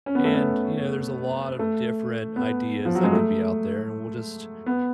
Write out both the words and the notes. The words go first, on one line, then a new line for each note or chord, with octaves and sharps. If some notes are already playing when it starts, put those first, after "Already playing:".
and, you know, there's a lot of different ideas that could be out there, and we'll just
C#4
B3
A3
B3
A3
B3
F3
F#3
G#3
A3
B3